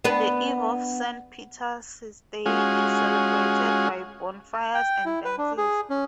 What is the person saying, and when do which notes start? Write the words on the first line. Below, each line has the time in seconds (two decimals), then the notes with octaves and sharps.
The Eve of St. Peter's Day is celebrated by bonfires and dances.
0.04 B3 D4 B4
2.46 G#3 C#4 F4 F#4 G#4
4.74 G5
5.05 E4
5.24 B4
5.38 D4
5.57 G#4
5.90 C#4